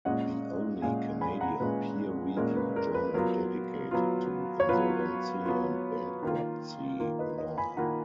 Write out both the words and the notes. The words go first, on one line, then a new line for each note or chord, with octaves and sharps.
The only Canadian peer-reviewed journal dedicated to insolvency and bankruptcy law.
A#2 G#3 C#4 D#5 F#5
A#2 G#3 C#4 F5 G#5
G#5 B5
F#5 A#5
A#2 G#3 C#4 B4
A#2 G#3 C#4 A#4
B4
A#4
B4
F#3 B3 F4 A#4
F#3 B3 F4
C#5
F#3 B3 F4 B4
F#3 B3 F4
D#3 A#3 F4
D#3 A#3 F4
B4 D#5
B4 D#5
G#5 B5
D#3 A#3 F4 F#5 A#5